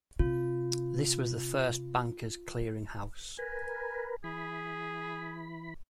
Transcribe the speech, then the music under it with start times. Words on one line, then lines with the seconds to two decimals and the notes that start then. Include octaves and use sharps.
This was the first bankers' clearing house.
0.19 C3 F4
3.39 A#4 B4 G#5
4.24 E3 G#4 B5